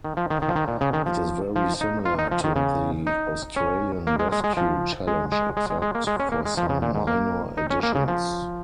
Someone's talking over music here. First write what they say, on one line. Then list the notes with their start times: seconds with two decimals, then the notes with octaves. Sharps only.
It is very similar to the Australian Rescue challenge except for some minor additions.
0.04 D#3
0.17 F3
0.30 D#3
0.42 D#3
0.49 F3
0.56 D#3
0.68 A#2
0.81 C#3
0.93 D#3
1.06 F3
1.56 F3
1.81 D#4
2.05 F4
2.19 D#4
2.31 F3
2.44 D#3
2.56 C#3
3.07 D#4
3.56 C#4
4.07 A#3
4.19 G#3
4.32 G#3
4.44 G#3
4.57 F3
5.07 G#3
5.32 G#3
5.57 G#3
5.70 G#3
5.82 G#3
5.95 A#3
6.07 G#3
6.20 C#4
6.32 A#3
6.45 G#3
6.57 F3
6.69 C#3
6.82 A#2
6.95 G#2
7.07 A#3
7.57 D#4
7.70 C#4
7.83 A#3
7.95 C#3
8.08 F3